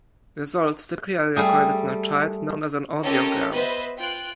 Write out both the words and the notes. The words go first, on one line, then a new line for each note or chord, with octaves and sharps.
Results typically are recorded on a chart known as an audiogram.
G3 A3 G#4
C#4 F4 G4 A4 A#4 D#5
B3 B4 C5 D#5 E5
F4 G5 F#6 D7